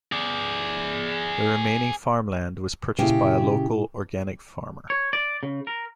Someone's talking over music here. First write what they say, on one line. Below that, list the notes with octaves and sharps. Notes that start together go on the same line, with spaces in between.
The remaining farmland was purchased by a local organic farmer.
G#4 D5
A#2 C#3 E4 G4
C#5
D5
C#3
A#4